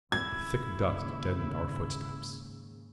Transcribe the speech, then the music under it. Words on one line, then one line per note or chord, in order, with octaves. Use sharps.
The thick dust deadened our footsteps.
D#2 G#2 C#3 E4 G#6